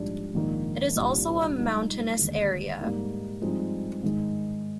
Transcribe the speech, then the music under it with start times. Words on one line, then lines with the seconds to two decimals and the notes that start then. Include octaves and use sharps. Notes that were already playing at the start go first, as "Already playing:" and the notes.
It is also a mountainous area.
Already playing: A#1 G#2 G3 D4
0.35 A#1 G#2 D#3 A#3
0.96 C2 A#2 G3 D4 F4
1.57 G2 F3 G#3 D#4
2.19 D#2 D3 G#3
2.80 G#2 G3 A#3 D#4
3.42 G2 F3 G#3 C4 D#4
4.03 G#2 D#3 G#3 D#4